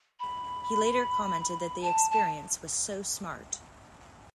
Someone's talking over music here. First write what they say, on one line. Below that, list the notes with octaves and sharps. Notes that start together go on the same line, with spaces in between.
He later commented that the experience, was so smart.
B5
A5
A5